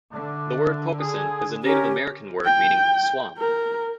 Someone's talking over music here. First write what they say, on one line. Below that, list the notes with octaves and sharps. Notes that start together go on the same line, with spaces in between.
The word pocosin is a Native American word meaning "swamp".
D3 A3 D4
G#4
C#4 G4 A#4
G5
A#4